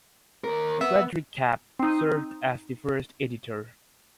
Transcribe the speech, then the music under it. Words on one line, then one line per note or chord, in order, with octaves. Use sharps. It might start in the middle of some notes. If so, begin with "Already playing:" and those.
Friedrich Kapp served as the first editor.
D#2 A#4
B3 B4 E5
C4 D#4